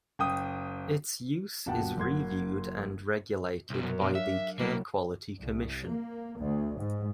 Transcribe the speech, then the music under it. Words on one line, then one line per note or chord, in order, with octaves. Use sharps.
Its use is reviewed and regulated by the Care Quality Commission.
F#1 G5 D#6
D#1 G2 B2 F#5 G5 A5
F#1 F#5 C6 G#6
C2 B2
F#2
B2 D4 F5
E5
C2 F#3 A#3
C2
A#3
D2
G#2